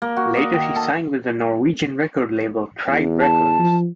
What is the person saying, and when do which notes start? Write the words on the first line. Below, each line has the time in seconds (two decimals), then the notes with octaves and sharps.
Later she signed with the Norwegian record label Tribe Records.
0.02 A#3
0.17 F#4
0.37 D#5
0.53 D#3
0.76 A4
2.88 E2
3.20 A5
3.59 F3